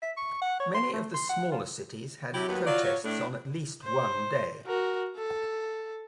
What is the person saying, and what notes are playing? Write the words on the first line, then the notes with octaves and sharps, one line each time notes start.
Many of the smaller cities had protests on at least one day.
E5
C#6
F#5
C#5
C6
A3
C6
F#5
F4
C3 F#3 E4 G4
D#2 B3
F#3 F4 D5
C#5
A2 A3 D4
C5
F#4 A#4
A4